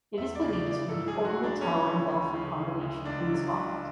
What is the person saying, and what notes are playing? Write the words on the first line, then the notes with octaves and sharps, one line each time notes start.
It is believed to be the only tower and belfry combination in Scotland.
E2 E5
D5
C#3
D5
E3
D5
G#2 A4
G#4
F#3
F#4
F#3
D4
D2 C#4
D2
D2
C#3
D2
D2
C#2 D4
F#3
C#2